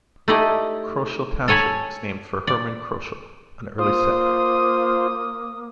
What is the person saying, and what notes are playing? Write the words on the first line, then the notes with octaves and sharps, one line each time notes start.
Kroschel Township was named for Herman Kroschel, an early settler.
A3 D#4 E4 G4 D5 D#5
A4 C#5 G#5 A#5 B5
D5
A#3 F4 C5 D#6